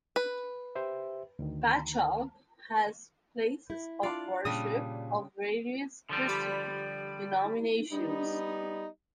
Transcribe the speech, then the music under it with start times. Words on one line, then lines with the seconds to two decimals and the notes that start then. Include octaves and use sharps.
Patchogue has places of worship of various Christian denominations.
0.16 B4
0.75 G4 C5 E5
1.39 D2 D#3
3.70 E4
4.03 D4 F4 D5
4.45 A#2 C#3 G3 D4 D#6
6.09 D3 F3 G3
6.28 G4 D5 B5
7.92 G3 B3 D#4